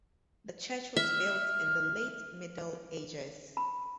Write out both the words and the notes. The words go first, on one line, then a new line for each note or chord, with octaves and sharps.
The church was built in the late Middle Ages.
E5 F6
B5